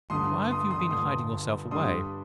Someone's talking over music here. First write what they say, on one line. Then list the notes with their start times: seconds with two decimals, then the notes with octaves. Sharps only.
But why have you been hiding yourself away?
0.10 G1 G2 D3 C6 D#6
0.51 C6 D#6
0.70 C6 D#6
0.90 G1 G2 D3 C6 D#6
1.71 G2 D3 G3 D4 C6 D#6